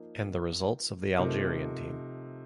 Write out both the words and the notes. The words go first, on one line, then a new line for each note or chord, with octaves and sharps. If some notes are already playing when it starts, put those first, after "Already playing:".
And the results of the Algerian team.
Already playing: F3 A#3 D#4
C3 F3 A3 D#4 A#4